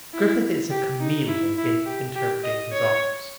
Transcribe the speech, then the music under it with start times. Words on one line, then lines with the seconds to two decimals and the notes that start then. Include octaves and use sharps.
Griffith is a chameleon in interpreting his authors.
0.14 E4
0.71 G4
1.01 D#4
1.28 E4
1.58 E4
1.86 G4
2.15 G4
2.44 D#5
2.73 C#5